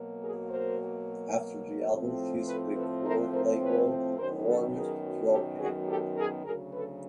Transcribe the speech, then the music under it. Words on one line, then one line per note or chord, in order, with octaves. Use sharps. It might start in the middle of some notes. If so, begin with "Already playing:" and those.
After the album his record label, Warners, dropped him.
Already playing: B2 F#3 A#3
G#4 A#4
A#4 C5
A2 F3 A3 C4
A4 B4
A4 B4
A#4 C5
A#4 C5
B4 C#5
F#2 D#3 F#3 B3 A#4 C5
A4 B4
G#4 A#4
G4 A4
F#4 G#4
G4 A4
G#4 A#4
D2 C#3 F#3 G#4 A#4
A4 B4